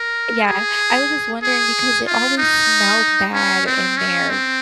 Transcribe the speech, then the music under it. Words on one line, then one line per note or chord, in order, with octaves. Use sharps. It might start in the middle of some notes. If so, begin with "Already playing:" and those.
Yeah. I was just wondering because it always smelled bad in there.
Already playing: A#4
G#4
G#4
F4
D#4
C#4
C4
C#4
C4